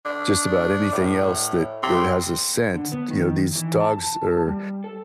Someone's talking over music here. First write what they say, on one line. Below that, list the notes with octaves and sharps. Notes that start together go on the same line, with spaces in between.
just about anything else that that has a scent, you know, these dogs are
D4
A2
C4
D3
B3
D#3
E3
A5
G3
A4